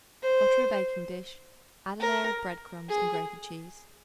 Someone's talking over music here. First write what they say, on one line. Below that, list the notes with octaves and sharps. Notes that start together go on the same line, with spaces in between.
Butter a baking-dish; add a layer of bread-crumbs and grated cheese.
C5
A#4
G#4